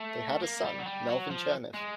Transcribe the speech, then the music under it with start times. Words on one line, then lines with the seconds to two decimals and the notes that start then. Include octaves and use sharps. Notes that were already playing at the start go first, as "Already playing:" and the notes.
They had a son, Melvin Chernev.
Already playing: A3
0.43 A#3
0.65 G3
0.79 F#3
0.86 G3
1.08 F#3
1.31 F3
1.74 G#3